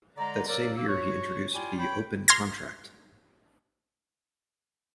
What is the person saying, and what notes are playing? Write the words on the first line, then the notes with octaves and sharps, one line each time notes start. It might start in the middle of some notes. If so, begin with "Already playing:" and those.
That same year he introduced the "open contract".
D3 G#3 D5 A#5
F#3 A#3 G4 A4 A#4 D5
A#3 E6
F#4 C#5
E4 F4 G4 D5 G5 G#5
C#5 G5 B5
C6 F6 G#6 A#6